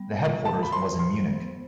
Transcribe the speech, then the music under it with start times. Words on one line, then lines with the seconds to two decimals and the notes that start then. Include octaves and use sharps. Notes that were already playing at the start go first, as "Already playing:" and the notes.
The headquarters was in Munich.
Already playing: G3 B3
0.18 F4
0.45 C5 A5
0.63 B5
0.72 C5 C6
0.99 C5 C6
1.27 B3